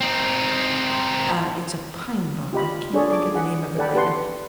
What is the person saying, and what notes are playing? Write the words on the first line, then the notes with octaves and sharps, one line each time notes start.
Uh, it's a pine bug. I can't think of the name of it right now.
C4 D#4
F4 G4 D#5 B5
D4 F4 G#4 A4 C#5 D5
D6
G#4 F#5
A4 D5 F#5 G5 A5 B5
G4 B4 F#5 C6